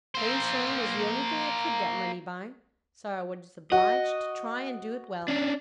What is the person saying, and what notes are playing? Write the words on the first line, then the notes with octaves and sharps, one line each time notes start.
"Plain sewing was the only thing I could get money by, so I was obliged to try and do it well."
A#3 C5
F#4 D#5
C#4 D4